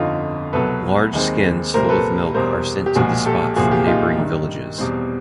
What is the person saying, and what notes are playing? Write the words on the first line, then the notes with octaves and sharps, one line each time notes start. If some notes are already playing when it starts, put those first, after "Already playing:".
Large skins full of milk are sent to the spot from neighboring villages.
Already playing: G1 F2 D3 D#4 F4
C2 B2 F#3 A4 B4
D#2 D#3 G#3 C4
C2 A#2 G3 A#4 C5
A4 B4
E2 B2 G3 A#4 C5
G4
B1 A#2 F3 G#3 F#4 G#4
G4 A4
C2 A#2 F3 A#3 F#4 G#4
F4 G4
D#4 F4
G2 D#3 G3
E2 B2 G3 C4